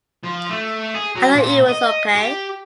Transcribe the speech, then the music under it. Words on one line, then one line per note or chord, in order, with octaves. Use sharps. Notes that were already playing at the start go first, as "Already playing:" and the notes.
I thought it was okay.
F3
A3
G#4
F#3
A#2
D#5
G4